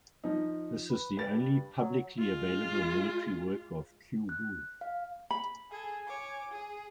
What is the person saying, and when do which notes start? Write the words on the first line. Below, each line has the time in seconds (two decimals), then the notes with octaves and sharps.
This is the only publicly available military work of Qu Wu.
0.24 F3 D#4
0.90 B4
1.17 G2 B4 A6
1.81 F#3
2.19 G#3 F4
4.29 F#6
4.81 F5
5.31 B5
5.71 G#4 A4 G#5
6.07 C#5 D6
6.51 G#4